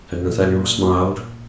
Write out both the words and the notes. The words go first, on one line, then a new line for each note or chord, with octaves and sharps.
Sir Nathaniel smiled.
A#2